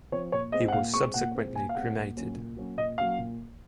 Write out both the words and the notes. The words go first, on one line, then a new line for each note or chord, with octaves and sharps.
He was subsequently cremated.
F3 C4 C#5
A#2 C#5
G#3 C4 D#5
F#5
A#2 F5
G#3 C4 C#6
A#2 F#5
G#3 C4
A#2 G#5
F5
G#3 C4 F#5
A#2
F#3 A#3 C#4
A#2
F#3 A#3 C#4
A#2 D#5
F#3 A#3 C#4 F5
A#2